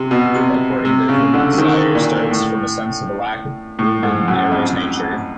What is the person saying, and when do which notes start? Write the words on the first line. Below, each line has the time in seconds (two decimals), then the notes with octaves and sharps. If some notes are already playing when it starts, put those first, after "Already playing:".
According to whom the desire starts from a sense of lack rooted in Eros nature.
Already playing: C3
0.11 B2
0.35 C3
0.85 C3
1.09 C#3
1.34 D3
1.58 D#3
1.95 A#2
2.31 A2
3.79 A2
4.03 G#2
4.28 F#2
4.52 F2